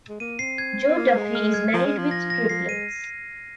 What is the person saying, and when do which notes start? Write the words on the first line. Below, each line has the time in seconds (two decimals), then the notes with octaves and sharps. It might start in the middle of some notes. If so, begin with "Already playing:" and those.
Joe Duffy is married with triplets.
0.09 G#3
0.20 A#3 D#7
0.39 C4 C7
0.58 G#6
0.88 C4
0.96 A#3
1.16 G#3
1.35 F6
1.54 G#6
1.73 F3
1.85 G#3
1.98 F3
2.11 A#6
2.30 A#6
2.49 F3 C7
2.68 G#3 D#7